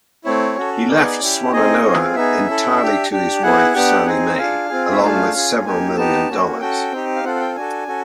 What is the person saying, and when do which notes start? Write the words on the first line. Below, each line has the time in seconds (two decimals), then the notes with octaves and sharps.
He left Swannanoa entirely to his wife, Sally Mae, along with several million dollars.
0.24 A3 C4 E4 C#5
0.56 C#4 F#4 A4
0.89 B3 D#4 G#4 D5
1.20 C#4 E4 G4
1.52 C4 D#4 G#4 D#5
1.83 C4 F4 G#4
2.15 B3 D#4 G#4 E5
2.48 C#4 E4 A4
2.79 D4 G4
3.11 D4 G4
3.42 B3 E4 G#4 F#5
3.75 B3 D4 G4
4.06 C4 D#4 G#4
4.38 D4 F4 G#4 F5
4.69 C4 F4 G#4
4.92 E5
5.01 A3 D4 F4 G#4 F5
5.33 C#4 F4 G#4
5.65 A#3 D#4 G4 G#5
5.97 B3 D#4 G4 A5
6.29 A#3 C#4 F#4
6.60 C#4 F#4 A4 G5
6.92 C4 D#4 G4
7.16 F5
7.24 C4 F4 A4 F#5
7.35 F#5
7.40 G5
7.56 D4 F#4 A4 G#5
7.88 C#4 F#4 A4